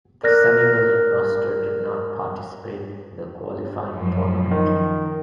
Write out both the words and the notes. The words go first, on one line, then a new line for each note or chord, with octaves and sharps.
The Senegal roster did not participate in the Qualifying Tournament.
A#4 D5 F6 F#6 A#6
F#2 F3
D#3